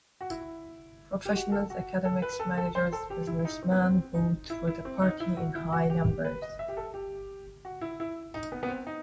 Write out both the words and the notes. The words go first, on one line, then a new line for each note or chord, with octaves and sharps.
Professionals, academics, managers, businessman vote for the party in high numbers.
F#4
E4
G4
F#4
A4
F#4
A4
B4
A4
A4
C5
A4
G4
E4
E4
D#4
C4
B3
C4
D#4
E4
E4
C4
D#4
E4
F#4
E4
F#4
G4
B4
D#5
E5
G4
A4
G4
F#4
E4
E4
D#4
B3
B3
C4
D#4